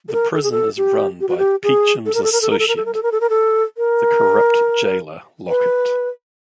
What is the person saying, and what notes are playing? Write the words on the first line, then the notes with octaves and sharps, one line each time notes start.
The prison is run by Peachum's associate, the corrupt jailer Lockit.
A4
A#4
A4
G#4
A4
G4
G4
F#4
G4
G#4
A4
A#4
A4
A#4
A4
A#4
A4
A#4
A4
A#4
A4
A#4
A4
A#4
A4
A#4
B4